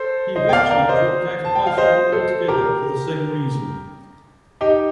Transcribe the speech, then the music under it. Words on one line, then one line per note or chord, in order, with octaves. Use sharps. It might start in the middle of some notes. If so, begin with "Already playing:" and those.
He eventually dropped out of high school altogether, for the same reason.
Already playing: A4 C5
C5 D#5
G5
D5 F5
A#4 D5
C5 D#5
A5
G5
F5
C5 D#5
A4 C5
G4 A#4
D#4 G4